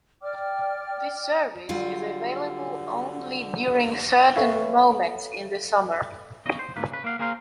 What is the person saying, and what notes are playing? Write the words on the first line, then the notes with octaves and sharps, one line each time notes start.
This service is available only during certain moments in the summer.
D5 G5 D6 F6
D3 F#3 G3 F4
A4 B4 C#5 E5 F5 G#5
B1 E2 C#3 D#5
C5
D2 G#2 A#3 B3 B4
C#3 B4
A#3 F5 F#5
A#3 G#4 A#4 C5 F5